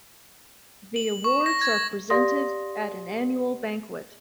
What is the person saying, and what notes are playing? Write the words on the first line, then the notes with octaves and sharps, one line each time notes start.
The awards are presented at an annual banquet.
F#7
C#6
A#6
G#6
G4 D5 F5 C6 D#6 A#6